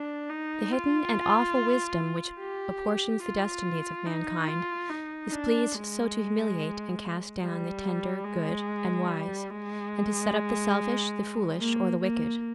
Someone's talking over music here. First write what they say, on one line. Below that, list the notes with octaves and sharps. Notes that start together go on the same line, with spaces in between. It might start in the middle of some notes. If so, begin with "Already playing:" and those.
The hidden and awful Wisdom which apportions the destinies of mankind is pleased so to humiliate and cast down the tender, good, and wise, and to set up the selfish, the foolish, or the wicked.
Already playing: D4
D#4
F4
G4
F4
D#4
F4
D#4
D4
G#3
G3
G#3
G3
G#3
A#3
A#3